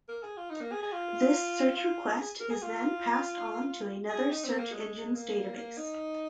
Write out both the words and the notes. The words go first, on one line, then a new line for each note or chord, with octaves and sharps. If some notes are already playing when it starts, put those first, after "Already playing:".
This search request is then passed on to another search engine's database.
A#4
G#4
F4
D#4
A#3
G#4
G#4
F4
F4
G#4
A#4
G#4
F4
G#4
D#4
C4
A#3
G#3
A#3
A#3
D#4